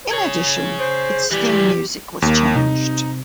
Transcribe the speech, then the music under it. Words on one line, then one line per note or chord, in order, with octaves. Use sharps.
In addition, its theme music was changed.
G#4 C#5
C5
E3 G3 G4
D#2 A#3
C3 D#4